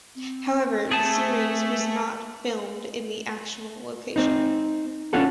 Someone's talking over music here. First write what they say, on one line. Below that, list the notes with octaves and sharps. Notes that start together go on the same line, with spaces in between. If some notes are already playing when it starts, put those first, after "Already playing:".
However, the series was not filmed in the actual location.
C4
A3 G#4 A5
C4 D#4
C#4 D4 F4 F#4 A4